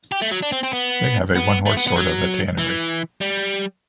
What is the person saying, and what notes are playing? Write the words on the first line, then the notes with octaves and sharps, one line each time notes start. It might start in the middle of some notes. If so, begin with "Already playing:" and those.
They have a one-horse sort of a tannery.
G4
A3
F#3
D4
C4
C4
B3
B3
A3
B3
B3
F#3
E3
G3